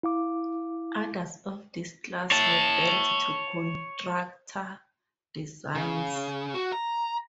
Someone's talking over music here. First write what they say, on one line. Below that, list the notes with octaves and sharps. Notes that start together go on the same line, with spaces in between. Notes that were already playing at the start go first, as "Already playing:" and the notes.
Others of this class were built to contractor designs.
E4 F5 D6
C#5 A5
C#3
F#4
A#5